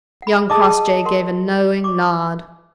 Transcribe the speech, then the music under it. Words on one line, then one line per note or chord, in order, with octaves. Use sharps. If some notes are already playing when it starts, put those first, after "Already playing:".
Young Crossjay gave a knowing nod.
F#5 B5
G#4 D#5 A5 D6 D#6
A#4 F#5 C6
C#6 D6